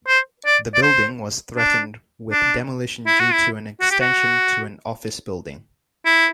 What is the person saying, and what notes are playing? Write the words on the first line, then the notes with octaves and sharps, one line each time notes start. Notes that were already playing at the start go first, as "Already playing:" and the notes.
The building was threatened with demolition due to an extension to an office building.
C5
D5
D5
C5
D4
D4
E4
F#4
E4
F#4
G4
F#4
E4